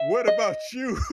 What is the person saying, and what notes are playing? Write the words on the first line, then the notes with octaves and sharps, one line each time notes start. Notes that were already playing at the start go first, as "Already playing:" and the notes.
What about you?
Already playing: E5
D#5